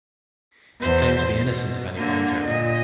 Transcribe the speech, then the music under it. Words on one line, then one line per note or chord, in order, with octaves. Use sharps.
She claimed to be innocent of any wrongdoing.
E2 C5
B2
D3 A#3
A#2 D#5